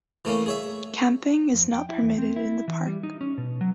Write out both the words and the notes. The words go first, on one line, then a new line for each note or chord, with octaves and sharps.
Camping is not permitted in the park.
E3 A3 A#3 C#4
G#4 C#5 E5
F2
G5
E4
E2
C4
E4
E3
G3
D#4
C#4
B2
F#3